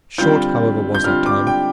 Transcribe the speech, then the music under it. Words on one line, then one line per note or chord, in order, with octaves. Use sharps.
Short, however, was that time.
D3 G3 C4 F4 G6
G6
D3 G3 C4 F4 F6
D6
G5